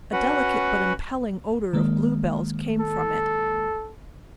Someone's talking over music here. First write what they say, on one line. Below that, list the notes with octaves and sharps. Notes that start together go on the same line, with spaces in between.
A delicate but impelling odor of bluebells came from it.
C#4 F#4 B4 F#5
D#3 G#3 A#3
A4